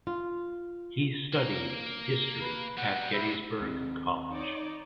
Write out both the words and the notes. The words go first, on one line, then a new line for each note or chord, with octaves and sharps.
He studied history at Gettysburg College.
F4
A#3 A#4
B4
B2 G3 F#5
E4
D#2 C4
D#4 C#5 D5